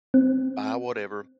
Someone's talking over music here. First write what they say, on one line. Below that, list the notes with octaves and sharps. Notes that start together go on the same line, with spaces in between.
buy whatever."
C4